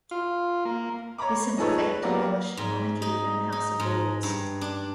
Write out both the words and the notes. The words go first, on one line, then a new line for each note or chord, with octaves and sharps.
This in effect abolished the monarchy and the House of Lords.
F4
A#3
C#5 A#5 B5 D6
F3 D#4 G#4 A4 B4 C#5
B4
F#3 A#3 B3 G4 A#4 D5
G#2
D#4
D#4
G#2
G2
D4